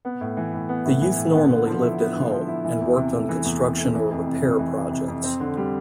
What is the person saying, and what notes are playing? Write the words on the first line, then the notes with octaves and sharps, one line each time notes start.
The youth normally lived at home, and worked on construction or repair projects.
B3
A2
E3
A2
B3
A2
E3
A2
B3
D3
F3
E4
B3
D3
F3
E4
E3
E2
C3
A3
E3
E2
C3
A3
E3
F2
C3
F2
E3
F2
C3
F2
C4
D3
G3